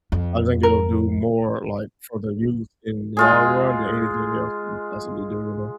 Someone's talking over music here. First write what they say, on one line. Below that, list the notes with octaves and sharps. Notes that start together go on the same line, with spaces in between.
I think it'll do more, like, for the youth in the long run than anything else we could possibly do, you know?
F2
A#4
G#3 F4 G#4